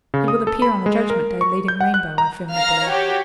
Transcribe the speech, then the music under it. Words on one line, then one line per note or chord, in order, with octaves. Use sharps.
He will appear on the Judgment Day leading Rainbow, I firmly believe.
C#3
D#6
A4
B5
G#3
A#4
C#6
G6
F#5
F#6
A#5
F5 A#5 F6
F#4 G4 C#5